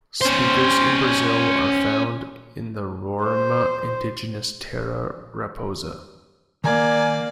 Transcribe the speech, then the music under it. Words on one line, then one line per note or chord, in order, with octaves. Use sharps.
Speakers in Brazil are found in the Roraima Indigenous Terra Raposa.
C#4 C5
C5
D#3 A#3 D5 G#5 A#5